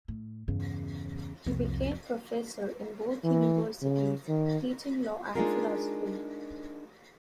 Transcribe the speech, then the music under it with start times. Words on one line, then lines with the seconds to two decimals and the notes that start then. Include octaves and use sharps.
He became professor in both universities teaching law and philosophy.
0.08 A2
0.48 E2 G2 C#3
1.46 C2 F2
3.24 E3
3.82 C#3
4.28 D#3
5.35 G#3 D4 D#4 F4 G#4 A#4